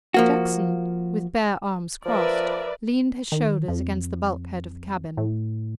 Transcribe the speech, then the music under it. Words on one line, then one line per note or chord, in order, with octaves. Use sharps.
Jackson, with bare arms crossed, leaned his shoulders against the bulkhead of the cabin.
F3 A#3 F#4
F3 A#4 B4 D5 E5
D#3
F2
A2